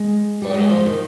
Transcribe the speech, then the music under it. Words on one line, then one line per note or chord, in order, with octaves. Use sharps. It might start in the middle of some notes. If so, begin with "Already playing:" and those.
But, um,
Already playing: G#3
G3
G#3
F3
D#3